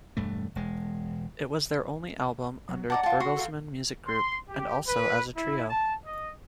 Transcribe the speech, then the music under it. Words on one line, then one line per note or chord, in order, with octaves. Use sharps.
It was their only album under Bertelsmann Music Group, and also as a trio.
E1 G2 A3
E1 G#3
F#3
D#4 D5 F#5 A5
F4 A5
F#4 C6
A4 F5
C6
G4
B4
E4
A5
D#5